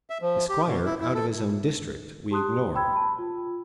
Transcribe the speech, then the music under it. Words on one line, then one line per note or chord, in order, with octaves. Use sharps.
The Squire, out of his own district, we ignore.
E5
F3
G4
B2
E4
E4
A4
G4 A5 C6 D#6 F#6
G5 B5 E6 G#6
A5 B5
F4